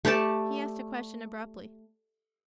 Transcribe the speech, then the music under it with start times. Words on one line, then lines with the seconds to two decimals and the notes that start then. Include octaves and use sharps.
He asked a question abruptly.
0.05 A3 G4 D5 A5